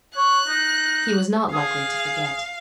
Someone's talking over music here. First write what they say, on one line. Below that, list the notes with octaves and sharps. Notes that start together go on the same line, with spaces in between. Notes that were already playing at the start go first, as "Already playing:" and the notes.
He was not likely to forget.
C#5 F#6
D#4
G#4 F5